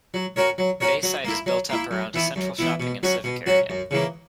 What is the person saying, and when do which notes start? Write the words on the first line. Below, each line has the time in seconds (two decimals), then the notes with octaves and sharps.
Bayside is built up around a central shopping and civic area.
0.14 F#3
0.36 C#4 F#4 A#4 C#5
0.58 F#3
0.81 C#4 F#4 A#4 C#5
1.03 F#3
1.25 A#3 E4
1.46 F#3
1.70 A#3 E4
1.91 F#2
2.14 E3 B3 E4
2.36 F#2
2.59 E3 B3 E4
2.80 B2
3.03 F#3 C#4 F#4
3.24 B2
3.46 F#3 C#4 F#4
3.70 F#2
3.91 C#3 E3 A#3